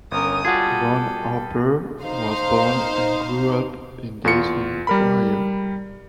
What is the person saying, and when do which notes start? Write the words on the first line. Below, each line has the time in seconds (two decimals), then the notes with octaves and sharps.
Ron Harper was born and grew up in Dayton, Ohio.
0.11 G1 C#4 A#4 D#6
0.45 G3 F4 F#4 G#4 A4 F#5
2.03 D#4 C5 F5
4.24 E2 F4 C#7
4.87 G3 A#4 B5